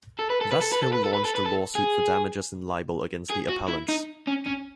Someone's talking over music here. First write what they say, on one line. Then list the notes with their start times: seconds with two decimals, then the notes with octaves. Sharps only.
Thus Hill launched a lawsuit for damages in libel against the appellants.
0.19 A4
0.30 B4
0.41 A4
0.51 B4
0.61 A4
0.72 B4
0.83 A4
0.93 B4
1.04 A4
1.13 B4
1.25 A4
1.35 B4
1.45 A4
1.75 G#4
3.30 G#4
3.49 F#4
3.68 E4
3.88 D#4
4.27 C#4
4.46 C#4